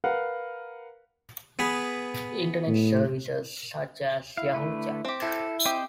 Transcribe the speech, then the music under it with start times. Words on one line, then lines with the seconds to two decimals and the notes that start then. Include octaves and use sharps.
Internet services such as YahooChat!
0.04 A#4 B4 F5 F#5
1.59 B3 G#4 B4
2.67 A2
4.37 E4 F5
4.55 D3 A3 B4
5.05 C4 G4
5.22 E4 A4
5.65 C4 G4 C5 D#5 G5